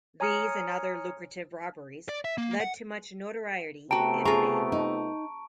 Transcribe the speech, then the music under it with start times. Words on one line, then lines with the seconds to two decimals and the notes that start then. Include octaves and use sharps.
These and other lucrative robberies led to much notoriety and fame.
0.20 C#5 G#5 A#5 D#6 F6 C#7
2.09 D5
2.25 E5
2.38 A#3
2.61 F#5
3.91 C3 A3 B3 F#4 G5 A5 A#5 D7
4.25 F4 G#4 A#5 C#6
4.72 D#4